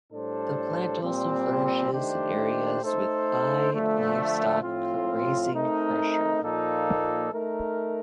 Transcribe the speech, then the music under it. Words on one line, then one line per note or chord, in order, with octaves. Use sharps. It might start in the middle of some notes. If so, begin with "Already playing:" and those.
The plant also flourishes in areas with high livestock grazing pressure.
A2 G3 D4 A4 C5
A#2 G3 C4
D#3 A3 D4 G4 C5
A3 D#4 A4 C5
D3 F3 A3
A2 F3 C4 F4
A3 C4 D#4 A#4
A#2 F3 A#3 D#4 A4
A3 D#4 A#4